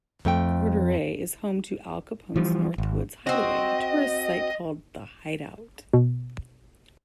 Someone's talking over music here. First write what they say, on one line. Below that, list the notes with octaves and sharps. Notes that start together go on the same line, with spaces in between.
Couderay is home to Al Capone's northwoods hideaway, a tourist site called The Hideout.
F2 A3 G5
E3 F3 G3
G#1
C4 F#4 D#5
B2